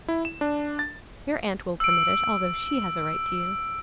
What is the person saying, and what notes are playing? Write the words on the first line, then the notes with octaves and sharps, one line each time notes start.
Your aunt will permit it, although she has a right to you.
E4
E7
D4
A6
E6 D7